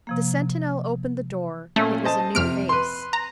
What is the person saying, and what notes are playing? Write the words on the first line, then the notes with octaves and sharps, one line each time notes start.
The sentinel opened the door; it was a new face.
C3 F3 A#3
A#2 A3 C#4
C5 D#5 A5
F2 C3 F6 D7
B4 C6
A#5